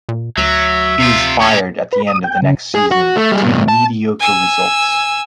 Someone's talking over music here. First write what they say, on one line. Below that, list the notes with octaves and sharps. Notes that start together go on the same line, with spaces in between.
He was fired at the end of the next season due to mediocre results.
A#2
D2 F#3 E5
C3 F4
A#2 C#4
B4
D#6
G5
C#3
G#4
F#4
A3
G3 G#4
G2 C3
A5
G#5 E6